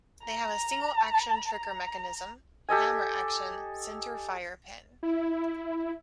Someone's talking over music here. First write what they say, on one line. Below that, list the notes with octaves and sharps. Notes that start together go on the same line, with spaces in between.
They have a single action trigger mechanism, hammer action, center fire pin.
A#5
A#5
G4 A4 D#5 G#5
E4